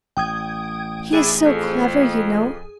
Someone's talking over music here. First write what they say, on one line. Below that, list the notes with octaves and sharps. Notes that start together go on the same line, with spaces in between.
He is so clever, you know.
A1 G5 D#6 G#6
D4 E4 G#4
F2